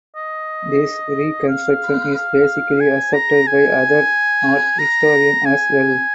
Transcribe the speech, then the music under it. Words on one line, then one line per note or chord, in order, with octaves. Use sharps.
This reconstruction is basically accepted by other art historians as well.
D#5
F5
F5
G#5
A#5
G#5
A#5
G#5